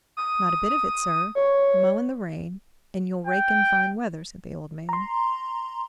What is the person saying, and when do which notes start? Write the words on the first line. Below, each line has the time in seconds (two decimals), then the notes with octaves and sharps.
"Not a bit of it, sir; mow in the rain, and you'll rake in fine weather!" said the old man.
0.17 D#6
1.35 C#5
3.27 G5
4.89 A#5 C6